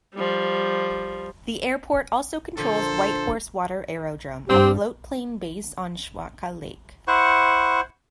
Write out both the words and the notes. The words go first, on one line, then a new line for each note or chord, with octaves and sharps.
The airport also controls Whitehorse Water Aerodrome, a float plane base on Schwatka Lake.
F3 G3
A#2 D3 F3 A4 C5
G2 G3 C4 G4
E4 C5 F#5 C#6